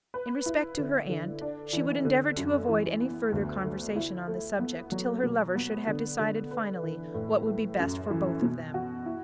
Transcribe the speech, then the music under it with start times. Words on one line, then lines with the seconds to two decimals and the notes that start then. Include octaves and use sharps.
In respect to her aunt, she would endeavour to avoid any further conversation on the subject till her lover should have decided finally what would be best for both of them.
0.14 B4
0.46 E4
0.78 D3
1.09 D3
1.41 D4
1.73 E3
2.05 D3
2.37 F#2
2.68 E3
3.01 B3
3.32 D2
3.64 D3
3.96 E4
4.28 A3
4.59 B3
4.92 F#3
5.23 B2
5.56 B3
5.87 D3
6.19 D3
6.51 B4
6.83 E3
7.14 A2
7.47 A3
7.79 F#2
8.10 E3
8.42 B2
8.74 F#4
9.06 E4